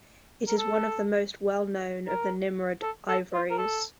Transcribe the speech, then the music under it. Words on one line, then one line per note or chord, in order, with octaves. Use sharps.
It is one of the most well known of the Nimrud ivories.
A#4
A4
A#4
A4
A4
F4
A#4
A4